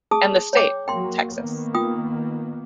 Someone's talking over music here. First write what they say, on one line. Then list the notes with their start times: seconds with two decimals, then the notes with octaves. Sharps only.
And the state, Texas.
0.11 G#4 A5 D#6
0.53 C#5 G5 D6
0.88 F#3 A#3 G5 C6
1.35 D#3 A#3 B3
1.75 F4 G5 D#6